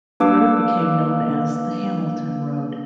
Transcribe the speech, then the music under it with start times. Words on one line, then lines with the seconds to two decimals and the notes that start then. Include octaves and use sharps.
The road became known as the Hamilton Road.
0.20 A#3 D4 B4 F5 D6 E6